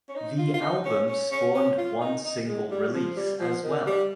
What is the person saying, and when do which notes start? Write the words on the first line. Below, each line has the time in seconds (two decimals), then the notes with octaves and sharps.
The album spawned one single release as well.
0.08 C#4
0.16 D#4
0.38 F4
0.54 F4
0.62 D#4
0.85 C#4
1.09 C#4
1.31 C#4
1.54 C#4
1.78 F4
2.01 D#4
2.24 D#4
2.47 G#3
2.70 G3
2.94 F3
3.17 G3
3.40 F3
3.63 D#3
3.87 G3